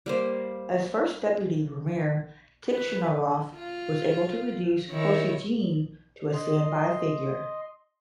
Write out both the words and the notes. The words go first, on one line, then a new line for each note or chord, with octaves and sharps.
As First Deputy Premier, Tikhonov was able to reduce Kosygin to a standby figure.
G3 A#3 C5
B4
F4
D#3 E4 C#5
D#5 C6